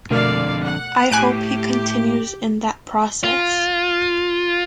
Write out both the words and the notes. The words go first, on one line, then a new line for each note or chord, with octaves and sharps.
I hope he continues in that process.
F2 B2 D3 A3 A#4 D5 F5
F#5
A2 G4 G#5 F#6 D7
F4